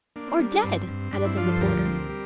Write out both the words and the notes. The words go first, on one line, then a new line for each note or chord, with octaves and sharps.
"Or dead!" added the reporter.
A#3 D4
C4
G3 D4
D4
G2 C4
G2
G2 D4
C4 E4
F3 D4 F4
A4 C5
D2 G4 A#4
C4
G3